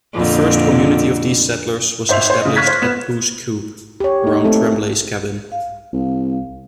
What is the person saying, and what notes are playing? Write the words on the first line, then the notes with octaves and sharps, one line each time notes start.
The first community of these settlers was established at Pouce Coupe, around Tremblay's cabin.
F2 A#2 D3
G#1 C5 E5 F7
C5 C#5
C#3 D#5
C#6 F6 F#6 G#6 A#6 B6
C5
B3 E7
G4 C#5
A#3 D#4
A3 C4 A4
F5
C2